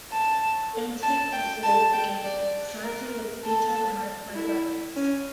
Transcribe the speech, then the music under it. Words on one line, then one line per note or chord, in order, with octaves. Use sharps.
"Antic" also liked the game, citing its "detailed and lifelike graphics".
A5
A5
G5
A5
G5
D5
A#4
A4
E4
C#4